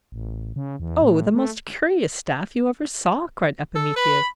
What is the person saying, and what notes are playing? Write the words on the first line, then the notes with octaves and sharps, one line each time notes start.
"Oh, the most curious staff you ever saw!" cried Epimetheus.
A1
C#3
E2
A2
A3
A4
B4 B5